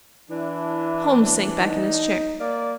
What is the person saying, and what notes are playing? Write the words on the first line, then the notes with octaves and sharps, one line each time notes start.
Holmes sank back in his chair.
E3 D4 E4
D#4
A#3 D5